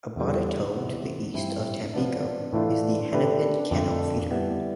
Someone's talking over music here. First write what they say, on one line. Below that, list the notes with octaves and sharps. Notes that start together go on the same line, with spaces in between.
About a to the east of Tampico is the Hennepin Canal feeder.
E2 D3 G3
C3 E3 B3
G2 F3 C4 E4
F3 B3 D4
A2 E3 A3 D4 F4
D3 A3 D4 G4 B4
F2 D3 A3
G3 B3 E4